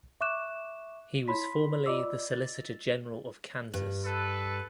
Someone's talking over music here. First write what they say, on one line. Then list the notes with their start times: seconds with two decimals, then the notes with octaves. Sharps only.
He was formerly the Solicitor General of Kansas.
0.21 E5 C#6 D6 F#6 E7
1.28 E4 C#5 B5 C6 B6
1.86 F4 D5 D#5 D6 E6
2.31 A6
3.74 G2
4.05 A4 B4